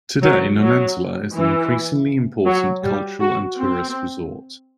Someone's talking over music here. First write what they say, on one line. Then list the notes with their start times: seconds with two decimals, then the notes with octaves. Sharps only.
Today Nonantola is an increasingly important cultural and tourist resort.
0.22 F#3
0.60 F#3
1.34 E3
2.46 F#3
2.83 G3
3.20 F#4
3.58 C4